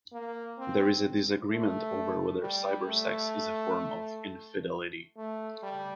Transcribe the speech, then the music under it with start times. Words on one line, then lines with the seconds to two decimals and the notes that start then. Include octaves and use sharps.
There is disagreement over whether cybersex is a form of infidelity.
0.13 A#3
0.58 C4
1.50 A3
2.42 G3
2.88 A3
5.17 A3
5.63 G3